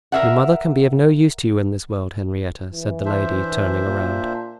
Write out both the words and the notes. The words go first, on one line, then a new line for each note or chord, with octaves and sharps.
"Your mother can be of no use to you in this world, Henrietta," said the lady, turning around.
A#4 E5 F#5
E3
D4 C5 E5
A#2